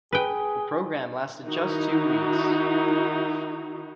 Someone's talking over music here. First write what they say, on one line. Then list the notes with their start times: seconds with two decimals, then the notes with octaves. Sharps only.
The programme lasted just two weeks.
0.12 G#4 B4 G5
1.45 D#3 D#4 E4 F#4